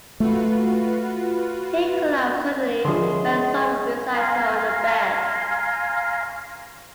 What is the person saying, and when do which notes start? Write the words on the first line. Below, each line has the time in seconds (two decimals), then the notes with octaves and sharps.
He collapsed suddenly, fell sobbing beside her on the bed.
0.20 A3 F4 F#4 B4
2.85 D3 F3 G#3 C#4 E4 G#4 C6
4.14 F5 G#5 A#5 C6